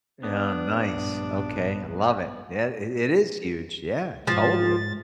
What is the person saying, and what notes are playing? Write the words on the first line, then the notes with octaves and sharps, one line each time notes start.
Yeah, nice, okay, I love it. Yeah, it it is huge, yeah, totally.
B3 D4
A#1 G2
G#2 F3 A6